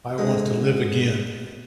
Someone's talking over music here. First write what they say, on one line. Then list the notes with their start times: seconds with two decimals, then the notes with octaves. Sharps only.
I want to live again.
0.18 D3 G#3